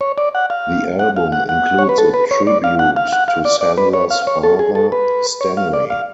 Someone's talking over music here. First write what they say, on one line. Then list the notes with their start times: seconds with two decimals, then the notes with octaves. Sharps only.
The album includes a tribute to Sandler's father, Stanley.
0.01 C#5
0.18 D5
0.35 F#5
0.50 F5
0.99 F#5
1.16 F5
1.32 F#5
1.49 F#5
1.79 C#5
1.89 B4
1.98 A4
2.14 B4
2.31 C#5
2.47 D5
2.64 F5
2.79 F#5
2.96 F5
3.13 F#5
3.28 F5
3.45 D5
3.61 D5
3.78 B4
3.93 C#5
4.11 F5
4.27 C#5
4.43 A4
4.59 G#4
4.75 A4
4.92 B4
5.41 C#5
5.57 F5
5.73 D5
5.90 F5